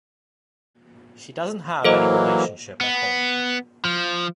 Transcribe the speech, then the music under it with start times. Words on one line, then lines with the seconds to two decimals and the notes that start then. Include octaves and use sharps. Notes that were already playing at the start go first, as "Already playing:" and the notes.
She doesn't have any relationship at home.
1.85 E3 F#3 A#3 A4 C5 D#5
2.81 B3
3.85 F3